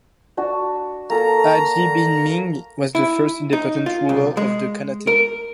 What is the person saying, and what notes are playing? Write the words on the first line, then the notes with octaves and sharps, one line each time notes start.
Hajji Bi Ming was the first independent ruler of the khanate.
D4 F#4
A#3 A4 A#4 A#5
E4
D#4
F4
C2
G#3
A#4